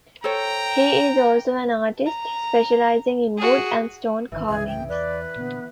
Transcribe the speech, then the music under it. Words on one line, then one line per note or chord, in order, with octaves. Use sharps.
He is also an artist, specializing in wood and stone carvings.
A4 C5 C#5 G5 A#5
A#5
F#4 G#4
G#1 D#3 E3
C2 G2 C#3 G#4
G5
E2 B4 D5
A#2 D3 B3